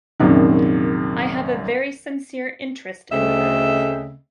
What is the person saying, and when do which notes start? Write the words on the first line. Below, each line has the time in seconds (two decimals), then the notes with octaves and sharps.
I have a very sincere interest in her.
0.20 A#1 F#2 C3 D#3
3.11 D2 C#3 A3 C4 D#5 E5